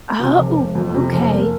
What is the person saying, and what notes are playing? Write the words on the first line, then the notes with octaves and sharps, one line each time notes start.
Ah, oh, okay.
C3
F1
F1
F2
C3
F1
A#3